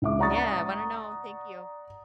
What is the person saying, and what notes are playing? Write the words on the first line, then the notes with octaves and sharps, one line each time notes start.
Yeah, I wanna know. Thank you.
C#2 E5 D6
D5 F#5 A#5 C#6 D#6 A6